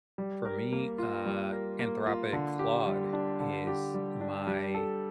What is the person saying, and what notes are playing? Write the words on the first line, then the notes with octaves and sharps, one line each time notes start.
for me, uh, Anthropic Claude is my
G3
A#4
A#3
F4
G3
A#4
A#3
F4
D3
G4
G3
D4
D3
G4
G3
D4
G3
A4